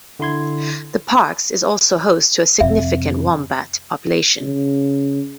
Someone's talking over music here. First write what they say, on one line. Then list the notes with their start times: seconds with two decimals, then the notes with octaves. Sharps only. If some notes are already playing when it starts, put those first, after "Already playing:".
The parks is also host to a significant wombat population.
0.19 D3 E4 C6 G#6
2.60 F2 C3 E5
4.41 C#3